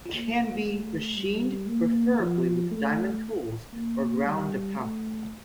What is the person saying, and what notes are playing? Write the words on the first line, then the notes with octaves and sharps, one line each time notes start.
It can be machined, preferably with diamond tools, or ground to powder.
A#3
A3
G3
A#3
F3
A3
A#3
G3
A3